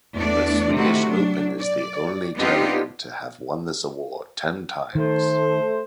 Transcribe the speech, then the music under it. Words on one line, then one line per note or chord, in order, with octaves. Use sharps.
The Swedish Open is the only tournament to have won this award ten times.
E2 A3 D4 D5
C3 D#3 A3 E4 F#4
F#3 D4
D5
B3 C4 D4 D#4 F4 G4
D#3 A3 C5